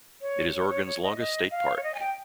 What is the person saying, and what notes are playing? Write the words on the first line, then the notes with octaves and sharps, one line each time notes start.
It is Oregon's longest state park.
C#5
C#5
C#5
C#5
D#5
D#5
F5
C#5
D#5
G#5
G5